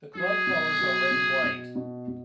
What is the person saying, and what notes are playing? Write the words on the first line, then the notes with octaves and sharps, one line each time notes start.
The club colours are red and white.
F#3 G#4
B2
F#3
B2
B2
B2
B2